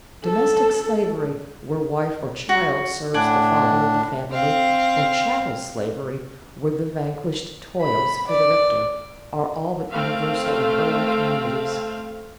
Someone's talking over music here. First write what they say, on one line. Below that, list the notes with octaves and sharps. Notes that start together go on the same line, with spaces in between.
Domestic slavery, where wife or child serves the father of the family, or chattel slavery, where the vanquished toils for the victor, are all but universal in early communities.
A4
F#4
A2 D4 D5 F#5 G#5
C4 F5
B5
D5
A3 C4 F5